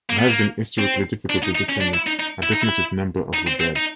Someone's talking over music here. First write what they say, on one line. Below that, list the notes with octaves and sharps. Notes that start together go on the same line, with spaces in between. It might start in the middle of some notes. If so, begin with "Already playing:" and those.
It has been historically difficult to determine a definitive number of the dead.
A#3
B3
A#3
C4
D4
D#4
D#4
C#4
D4
E4
D#4
D#4
E4
D#4
E4
D#4
C4
C4
D#4